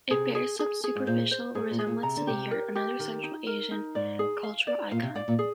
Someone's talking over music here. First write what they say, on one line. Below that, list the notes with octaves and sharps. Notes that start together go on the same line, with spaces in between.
It bears some superficial resemblance to the yurt, another Central Asian cultural icon.
C3 G#4
G#4
G#4
G#4
G#2
A#2 C5
C5
G#2 G#4
A#2
G#4
A#2
C3 A#5
D3
C3 G4
A#4
G4
D#3 A#4
D#4
A#4
D#4
G#2 D5
G#4
F5
D5
A#2 F5
C3
G#2 D5
A#2
G#4